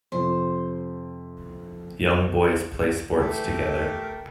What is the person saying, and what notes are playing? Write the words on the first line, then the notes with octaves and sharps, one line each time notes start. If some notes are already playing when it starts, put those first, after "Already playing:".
Young boys plays sports together.
F2 C3 F4 C5
E3 A3 G4 G5
A#4